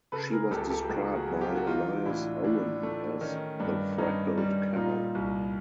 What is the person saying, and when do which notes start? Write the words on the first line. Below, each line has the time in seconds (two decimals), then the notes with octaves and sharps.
She was described by Elias Owen as the "Freckled Cow".
0.12 C#3 A4 B4
0.32 G#4 A#4
0.51 C#2 G4 A4
0.70 G4 A4
0.83 G4
0.89 C#2 F#4 G#4
1.15 F#4 G#4
1.28 F#3
1.41 F4 G4
1.55 F#4
1.66 E3 D#4 F4
2.06 A2 D4 E4
2.44 A2 D4
2.83 A3
3.21 D#3 C#4
3.60 G2 D4
3.98 G2 C#4 D#4
4.38 G3
4.75 A#2 D#4 F4
5.15 C2